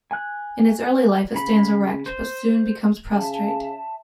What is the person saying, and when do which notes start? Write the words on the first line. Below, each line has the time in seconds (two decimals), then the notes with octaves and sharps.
In its early life it stands erect, but soon becomes prostrate.
0.11 G#5 F#6
1.34 C#3 B5
2.06 C5
3.15 C#3 E5 A5